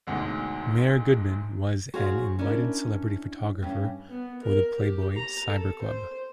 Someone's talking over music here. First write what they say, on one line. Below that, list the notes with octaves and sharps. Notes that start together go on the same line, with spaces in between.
Mayor Goodman was an invited celebrity photographer for the Playboy Cyber Club.
A1 D2 G#2 B2
F#4 G#4 C5 C#5 F5
C#4 D4 E4 A#4
G2 C#4
B3
A#4
G4
A#5
A4
C5